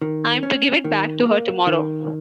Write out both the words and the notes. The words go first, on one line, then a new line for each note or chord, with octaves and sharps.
I’m to give it back to her tomorrow.
D#3
C#4
D#3
A#3
D#3